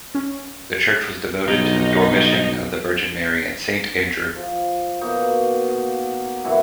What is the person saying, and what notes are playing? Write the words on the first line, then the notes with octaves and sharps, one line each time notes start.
The church was devoted to the Dormition of the Virgin Mary and Saint Andrew.
C#4
B1 D#4
F3
B2 A#3 D#4 F#4
D#5
F#2 E3 A3 F#5